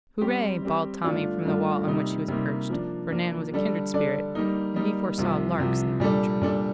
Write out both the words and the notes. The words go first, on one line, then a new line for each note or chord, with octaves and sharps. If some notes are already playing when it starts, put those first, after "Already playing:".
"Hooray!" bawled Tommy from the wall on which he was perched, for Nan was a kindred spirit, and he foresaw "larks" in the future.
G3 C4 G4
G3 C4 G4
G2 D3 A3 D4 F4
G2 D3 A3 D4 F4
C3 G3 A#3 D#4
C3 G3 A#3 D#4
F3 A#3 D4
F3 A#3 D4
D3 G3 D4 A4 D5
D3 G3 D4 A4 D5
G3 A#3 D#4
G3 A#3 D#4
C2 C3 F3
C2 C3 F3
A#2 G3 D4 A4 D5
A#2 G3 D4 A4 D5